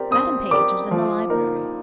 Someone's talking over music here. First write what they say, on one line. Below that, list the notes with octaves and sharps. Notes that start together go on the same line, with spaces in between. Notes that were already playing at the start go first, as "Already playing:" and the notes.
Madam Page was in the library.
Already playing: C4 G4 A#4 D5
C4 D#6
G4 A#4 D5 D6
F3
A#3 D#4 A#4